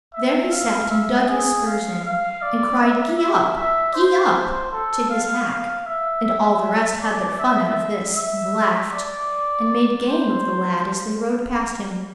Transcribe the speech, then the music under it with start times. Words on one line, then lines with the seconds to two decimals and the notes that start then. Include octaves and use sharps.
There he sat and dug his spurs in, and cried, "Gee up! gee up!" to his hack. And all the rest had their fun out of this, and laughed, and made game of the lad as they rode past him.
0.14 E5
0.52 F5
0.90 E5
1.28 G#4
1.66 F5
2.05 F5
2.42 D5
2.81 E5
3.19 E5
3.57 E5
3.95 C5
4.34 C5
4.72 A4
5.10 F5
5.48 F5
5.86 E5
6.24 E5
7.01 D5
7.39 E5
8.15 E5
8.91 D5
10.07 C5